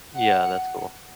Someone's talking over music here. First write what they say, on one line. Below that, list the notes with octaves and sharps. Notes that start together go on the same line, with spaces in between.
Yeah, that's cool.
F#5